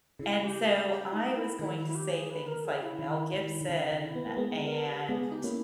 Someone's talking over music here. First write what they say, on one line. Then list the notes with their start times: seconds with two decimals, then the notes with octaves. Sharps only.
and so I was going to say things like, Mel Gibson and,
0.19 C#3 E4
0.44 G4
0.67 G#4
0.90 G4
1.12 D#4
1.36 E4
1.59 D#3 E4
1.77 E4
1.87 E4
1.95 G4
2.11 G#4
2.30 B4
2.47 A#4
2.64 G#4
2.82 E4
2.99 D#3
3.34 D#3
3.61 D#3
3.69 C#3 D#4
3.92 D#3
4.03 E4
4.15 B3
4.26 A#3
4.37 G#3 B3 G#4
4.63 A#4
4.85 G4
5.08 G#3 B3 G#4
5.22 G#4
5.32 D#4 G4
5.44 A#3 C#4 E4